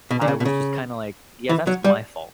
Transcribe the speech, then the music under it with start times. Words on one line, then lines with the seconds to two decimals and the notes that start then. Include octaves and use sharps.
I was just kinda like, "Yeah, that's my fault."
0.11 B2
0.21 D3
0.28 C#3
0.40 B2
0.45 C#3
1.49 E3
1.67 F#3
1.84 G3